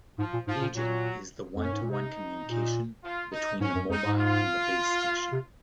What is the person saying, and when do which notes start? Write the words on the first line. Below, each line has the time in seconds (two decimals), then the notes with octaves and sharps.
"Paging" is the one-to-one communication between the mobile and the base station.
0.18 G#2 F3
0.34 A#2
0.47 G#2 F3
0.61 A#2
0.75 A#2 F#3
1.56 F2
1.61 F#2 C#4
1.73 G#2
1.82 A#2
1.90 C3 D#4
2.47 A#2
3.04 F4
3.33 D#4
3.61 G#2 C#4
3.75 F#2
3.89 F2 D#4
4.04 G#2
4.18 F4
5.32 C3